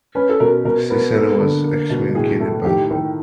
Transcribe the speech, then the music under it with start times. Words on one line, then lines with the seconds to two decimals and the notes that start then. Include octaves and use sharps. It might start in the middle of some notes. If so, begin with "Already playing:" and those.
Cesena was excommunicated by the Pope.
0.15 C#4 B4
0.29 A4
0.40 B2 A#4
0.65 B2 A#4
0.90 B3 A#4
1.15 A#3 A4
1.39 D3
1.65 A#3
1.90 B2
2.15 A2 G#4
2.40 A3
2.64 D#3 G4
2.90 D#3